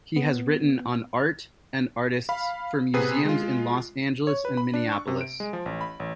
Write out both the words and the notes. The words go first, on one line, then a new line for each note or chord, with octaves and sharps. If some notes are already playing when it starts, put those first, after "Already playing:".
He has written on art and artists for museums in Los Angeles and Minneapolis.
B3
F5 B5
C3 B3 G#4 B4 C7
G#3 F4
C#5
B4
B5
D4
C#6
C3
D7
G#3
F3
A1
B5
A1